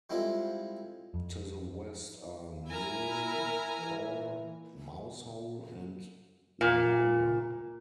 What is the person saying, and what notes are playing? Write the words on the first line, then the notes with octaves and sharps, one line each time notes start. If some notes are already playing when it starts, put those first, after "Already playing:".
To the west are Newlyn, Paul, Mousehole and Lamorna.
G3 G#3 C4 E4 F4 A4
F2
E4 A#4 G#5 A#5
E3
A#2